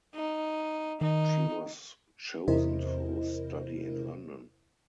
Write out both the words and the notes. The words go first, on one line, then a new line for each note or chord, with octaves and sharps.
She was chosen to study in London.
D#4
D#3 D#4
E2 C3 E4 A#4 C5 D#5